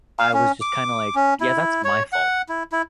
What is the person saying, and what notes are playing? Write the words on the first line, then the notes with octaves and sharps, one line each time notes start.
I was just kinda like, "Yeah, that's my fault."
F5
C#4
D6
C#4
E4
C#5
F#5
E4
E4